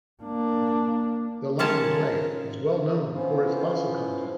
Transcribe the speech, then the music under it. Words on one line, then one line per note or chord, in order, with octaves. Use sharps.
The London Clay is well known for its fossil content.
A#3 D4
D#3 G#3 C#4 F4 C#5 A5
F3 B3 C#4 E4 C5 F5